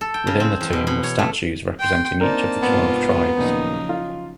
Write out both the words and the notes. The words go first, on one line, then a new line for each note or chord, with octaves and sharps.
Within the Tomb were statues representing each of the Twelve Tribes.
A4
G5
C#3
C4
E2
B2
B2
C#5
A3
G5 C6
A#3 C4 D4 D#4 A#4 A5
G#2 C3 B3 F4
D#2 A#2 C#3 F3 F#3 D#4
F4